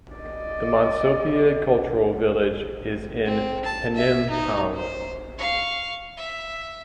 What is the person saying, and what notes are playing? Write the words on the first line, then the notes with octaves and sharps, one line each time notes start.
The Monsopiad Cultural Village is in Penampang.
D5 D#5
C4
A5
E5
D#4
C5
F5 C#6
E5